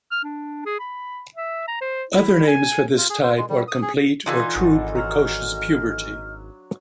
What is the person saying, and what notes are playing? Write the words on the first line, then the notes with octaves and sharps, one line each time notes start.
Other names for this type are "complete" or "true precocious" puberty.
F6
D4
G#4
B5
E5
A#5
C5
E4
G#5
F4
G#4
C5
G#3
G3
D#6
G#4
D3 E3 D4 D#4 F4 A4 C6 G#6
G#1 F#5
F#3 D#5 A#5 F6